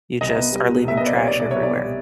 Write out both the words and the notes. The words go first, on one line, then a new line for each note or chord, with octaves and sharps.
you just are leaving trash everywhere.
C2 D#5
B3
G3
B2
C2 E5
B3 D#5
D5
G3 C#5
D5
B2
D5
C2 C#5
B3 D5
G3